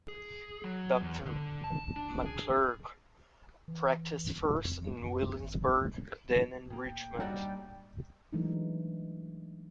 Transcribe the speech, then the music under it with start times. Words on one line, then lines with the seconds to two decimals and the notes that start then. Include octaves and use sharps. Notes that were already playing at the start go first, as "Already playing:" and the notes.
Dr. McClurg practiced first in Williamsburg, then in Richmond.
0.08 G#4
0.64 F#3
1.01 E2
1.25 D3
1.64 A5
1.96 D4
2.26 G#4
3.68 E3
4.65 F2
5.02 F#2
5.43 G#1
6.70 A2 A#3 G5
7.20 G3 D4 D#4 F#4
8.33 E3 F#3 G#3 A3 D4 D#4